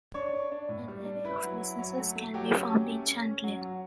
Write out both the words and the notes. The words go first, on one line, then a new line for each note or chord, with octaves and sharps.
An array of businesses can be found in Chandler.
D4 C#5 C#6
D4
D4
A2
G3
D4
E4 B4 B5
F#3
E4
F#3
A3
A3
F#3 G4 G5
C#4
C#4
A3
C#4
C#4
F#3
F#3